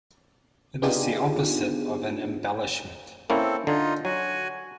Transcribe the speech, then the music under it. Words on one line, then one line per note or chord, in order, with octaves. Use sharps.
It is the opposite of an embellishment.
B3 D4 D#4 F4 G4 G#4
A#3 C4 C#4 E4 A4
D3 D#4 F4
F#3 F#4 G#5